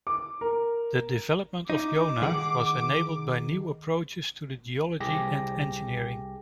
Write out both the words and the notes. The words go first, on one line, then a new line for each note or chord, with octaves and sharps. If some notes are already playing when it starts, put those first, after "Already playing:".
The development of Jonah was enabled by new approaches to the geology and engineering.
D6
A#4
D#4 D6
D#3 G#4 F#5
C2 G4 G#4 A#6